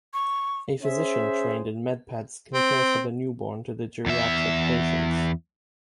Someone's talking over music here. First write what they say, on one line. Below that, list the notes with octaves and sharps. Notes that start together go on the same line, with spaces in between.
A physician trained in Med-Peds can care for the newborn to the geriatric patients.
C#6
C#4 G#4 C5 E5
C4
E2 E5